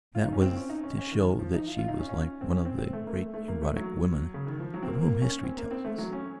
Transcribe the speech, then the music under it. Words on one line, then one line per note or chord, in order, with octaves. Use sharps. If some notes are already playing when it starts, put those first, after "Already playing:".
That was to show that she was like one of the great erotic women of whom history tells us.
F4
D#4
C#4
C4
C#4
D#4
C#4
C#4
D#3
D#3
F3
D#4
F4
F4
D#4
C#4
C#4
C4
C#4
C4
C4
A3
A#3
A3
A3
A#3
A3
F#3
C#3
D#3
F3
F#3
C4
A#3
A#3
C#4
C4
A#3
C4
A3
F#3
C#4